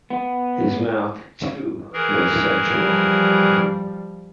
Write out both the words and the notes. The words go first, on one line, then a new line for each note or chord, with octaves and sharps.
His mouth, too, was sensual.
B3
E3 G#4 A#4
F3 G3